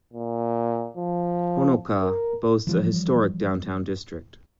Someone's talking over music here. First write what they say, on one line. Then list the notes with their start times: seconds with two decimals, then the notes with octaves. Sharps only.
Honokaa boasts a historic downtown district.
0.13 A#2
0.97 F3
2.02 A#4
2.67 E3 F3 G3